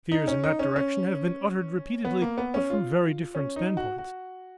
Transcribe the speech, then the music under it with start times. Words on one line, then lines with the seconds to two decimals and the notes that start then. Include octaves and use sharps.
Fears in that direction have been uttered repeatedly, but from very different standpoints.
0.12 D#4
0.28 C#4
0.44 D#4
0.59 C#4
0.76 C#4
2.05 B3
2.22 A#3
2.38 B3
2.54 C#4
2.70 F4
3.35 C#4
3.56 D#4
3.77 F#4
3.98 F#4